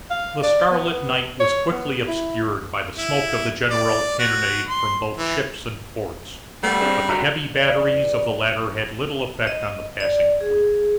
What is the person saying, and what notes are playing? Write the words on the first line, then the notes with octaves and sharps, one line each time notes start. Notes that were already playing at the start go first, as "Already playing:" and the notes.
The starlit night was quickly obscured by the smoke of the general cannonade from both ships and forts; but the heavy batteries of the latter had little effect on the passing fleet.
F5
D5
B3
C#5
B3
E4
E4
D5
F#4
C6
E3
G3 A3 B3
C4 D4 G#4
D3 F#4 A#5
E2 D5
D#5
D5
G#4